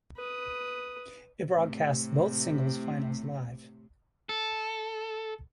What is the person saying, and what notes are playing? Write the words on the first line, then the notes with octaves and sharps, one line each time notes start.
It broadcasts both singles finals live.
B4 D#6
A2 C3
A4